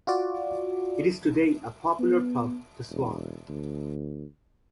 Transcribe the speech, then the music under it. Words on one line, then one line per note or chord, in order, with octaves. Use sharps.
It is today a popular pub, The Swan.
F4 F#4 D5
B3
E1
D2